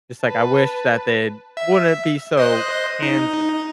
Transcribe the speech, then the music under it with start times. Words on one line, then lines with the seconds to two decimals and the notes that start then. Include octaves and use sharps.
It's like I wish that they wouldn't be so handsy.
0.22 B4 A5
1.57 E5
2.37 C5 D#5 F#6
3.02 D#4